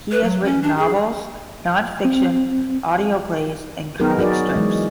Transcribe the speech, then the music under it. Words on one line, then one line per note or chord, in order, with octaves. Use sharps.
He has written novels, non-fiction, audio plays and comic scripts.
B4
F#3
C#4
D4
G#4
C4
F#3 B3 D#4 G#4 A#4
F#3 F#4 G#4 A#4 D5
E3 G#3